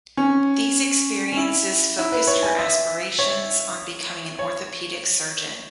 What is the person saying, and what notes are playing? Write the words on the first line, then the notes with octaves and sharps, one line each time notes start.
These experiences focussed her aspirations on becoming an orthopaedic surgeon.
C#4
C#4
E4
E4
B4
C#5
G#5
E5
C#5
C#5